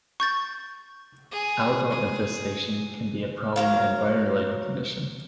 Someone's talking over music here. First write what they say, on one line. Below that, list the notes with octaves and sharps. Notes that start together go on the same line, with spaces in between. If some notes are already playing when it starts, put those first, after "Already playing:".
Algal infestation can be a problem in brighter lighting condition.
C#6 G6 A6
G#4
G#4
F#3 A#4 F5